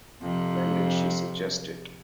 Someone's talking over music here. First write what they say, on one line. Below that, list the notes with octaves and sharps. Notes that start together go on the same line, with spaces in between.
When did she suggest it?
F2 C3